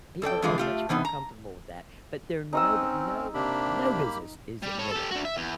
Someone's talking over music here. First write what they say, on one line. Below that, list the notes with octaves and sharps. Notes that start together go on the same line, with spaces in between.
people are much more comfortable with that, but there are no bu no no business is admitting
F2 A4 D5 G5
F2 D3 E3 G#3 F4
A3 F4 G4
C3 E3 B3 D#4
A#5
C4 C#4 D#4 D#6 E6
C3 A#3 D4 G4 B5
G3
A4 C#5
G4 A4
D4 F#4
E5
E2